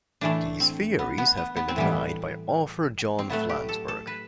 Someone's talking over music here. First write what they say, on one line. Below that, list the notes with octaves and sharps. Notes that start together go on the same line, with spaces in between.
These theories have been denied by author John Flansburgh.
A2 E3 A3 D4
C4
B3
B3
B3
B3
C4
A2 E3 G3 B3
C4
A2 F#3 A3 B3
G4
A4
A4
B4